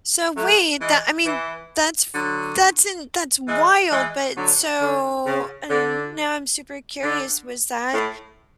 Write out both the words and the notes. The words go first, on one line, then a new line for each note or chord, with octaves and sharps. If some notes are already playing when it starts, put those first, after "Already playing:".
So, wait, the I mean, that's f that's in that's wild, but so, and now I'm super curious, was that
F#3 A3
E3 G#3
E3
D3 F#3
E3 G#3
E3 G#3
D3 F#3
D3
C#3
D3
D3
A2